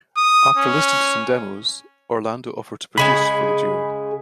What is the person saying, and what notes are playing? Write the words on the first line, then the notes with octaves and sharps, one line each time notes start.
After listening to some demos, Orlando offered to produce for the duo.
D#6
C#4
C#3 G#3 G#4 B5